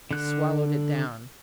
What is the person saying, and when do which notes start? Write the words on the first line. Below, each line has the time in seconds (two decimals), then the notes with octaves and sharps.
He swallowed it down.
0.11 D3 F#6